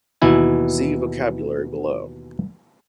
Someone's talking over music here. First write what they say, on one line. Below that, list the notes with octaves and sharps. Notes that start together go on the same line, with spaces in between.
See Vocabulary below.
D#2 B2 E3 E4 G#5